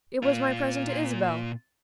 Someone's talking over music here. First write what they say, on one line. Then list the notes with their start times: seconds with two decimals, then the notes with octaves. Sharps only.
"It was my present to Isabel."
0.23 A#2 F4